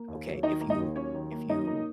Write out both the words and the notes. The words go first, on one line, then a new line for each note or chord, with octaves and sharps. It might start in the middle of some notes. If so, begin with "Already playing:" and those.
okay, if you if you
Already playing: A#3
D#2
F#3
D#3 D#4 D#5
A#3
D#4 D#5
D#2
F#3 C#4 C#5
D#3
A#3
F#2 D#4 D#5
A#3